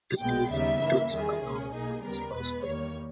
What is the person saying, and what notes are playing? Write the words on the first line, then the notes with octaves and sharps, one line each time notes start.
The leaf drifts along with a slow spin.
B1 A#2 G#3 B3 G5
D#2 C#3 G3 B3 D#4 E5
G2 E3 A#3
E2 D#3 G3 G#4
C#2 B2 A#3 C#4
B1 B2 A#3 D#4 G#4
D#2 C#3 G3 B3 A#4
E2 B2 G#3 B3 B4
E2 D#3 G3 A#3 C#5